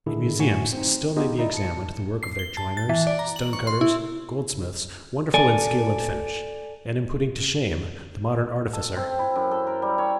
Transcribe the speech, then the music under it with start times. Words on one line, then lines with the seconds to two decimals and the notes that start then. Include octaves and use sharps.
In museums still may be examined the work of their joiners, stone-cutters, goldsmiths, wonderful in skill and finish, and in putting to shame the modern artificer....
0.06 A2 D3 D#3 E4 G#4
0.39 A2 F#4 G#5 C#7
0.73 C4 D#4
1.17 B3 D#4 F4 G4 G#4 D#5
1.39 D#4 E4 D5 D#5
1.54 A5 C#7
2.23 C7
2.39 G7
2.57 A5
2.77 A6
2.89 E3
3.07 D5
3.19 A#5
3.36 F#7
3.53 C#6
3.67 C6
3.81 E4
5.34 A4 D5 G#5
8.73 A4
8.97 C4
9.19 E4
9.36 F#2
9.51 A4
9.67 A#4
9.82 G3
9.98 C#5